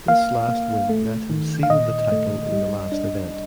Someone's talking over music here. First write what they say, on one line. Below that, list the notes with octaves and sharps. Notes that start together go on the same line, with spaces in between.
This last win let him seal the title in the last event.
A#3 F5
A#3
A3
D#3
F5
A#2 D#5
A3
G3
D4